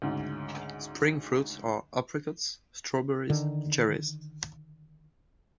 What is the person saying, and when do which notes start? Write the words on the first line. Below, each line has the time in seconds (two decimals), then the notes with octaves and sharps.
Spring fruits are apricots, strawberries, cherries.
0.02 D2 G#2 C#3
3.30 D3 D#3